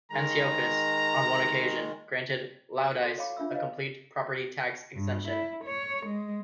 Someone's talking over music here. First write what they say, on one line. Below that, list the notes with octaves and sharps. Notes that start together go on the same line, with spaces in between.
Antiochus, on one occasion, granted Laodice a complete property tax exemption.
D#3 G#3 A#5
F#4 A4
E4 C#5 F5 G5 B5 D6
D4 F4 E5 B5 E6
B4 C#5 D#5 F5
G2
E4
C#5
G#3